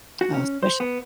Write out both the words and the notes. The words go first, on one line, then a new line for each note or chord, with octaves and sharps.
uh, especi
F#4
C#4
C5
B3